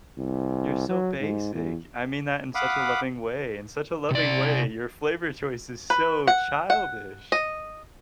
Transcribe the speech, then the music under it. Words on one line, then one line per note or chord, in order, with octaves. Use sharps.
You're so basic. I mean that in such a loving way. In such a loving way, your flavor choice is so childish!
C2
F#3
G#2
E2
F5 F#5 B5 D6 D#6
C3 D5
B4
F#5
F#5
D#5